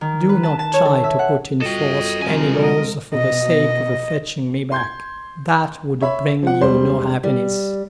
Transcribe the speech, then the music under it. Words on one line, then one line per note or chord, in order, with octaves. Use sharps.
Do not try to put in force any laws for the sake of fetching me back: that would bring you no happiness.
D#3
B4
A5
A5
C#5
A4
E5
F#5
G3 F4 F#4 A4 D#5 G5
F2 C3 G#3 A#4 G#5
D#5
B2 D#5
C6 G6 G#6
C#5 E5 B5
F3 F#5
E1 G3 C5 C6
G3